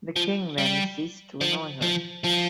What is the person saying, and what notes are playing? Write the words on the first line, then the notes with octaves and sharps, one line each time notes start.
The king then ceased to annoy her.
F3
G3
F3
F3
F3